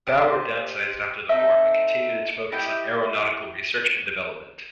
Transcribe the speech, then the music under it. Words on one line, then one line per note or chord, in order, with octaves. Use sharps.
BuAer downsized after the war, but continued its focus on aeronautical research and development.
G4 C5 D#5 A5
C4 D#4 A4 E5
E4 G4 D#5 G5